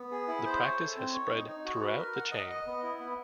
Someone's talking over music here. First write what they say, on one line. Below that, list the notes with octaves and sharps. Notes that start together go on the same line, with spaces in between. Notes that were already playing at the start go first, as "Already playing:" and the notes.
The practice has spread throughout the chain.
Already playing: B3
G#4
E4
C5
C#5
A4
C4
C#5
D#4
D#4
F#4
B4
A#4
F#5
D#5
D#5
B3
E4
B3